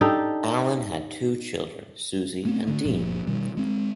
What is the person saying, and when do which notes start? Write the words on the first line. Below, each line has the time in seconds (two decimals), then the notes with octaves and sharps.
Alan had two children, Suzi and Dean.
0.01 D4 D#4 G4 A4
2.45 A3 B3 C4
2.67 D3 A3
2.84 F#1 A#2 F3
3.27 B2 D#3 G3
3.57 G#3 C4